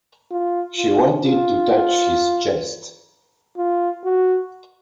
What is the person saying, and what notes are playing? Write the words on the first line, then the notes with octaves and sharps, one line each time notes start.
She wanted to touch his chest.
F4
F4
F4
F4
F#4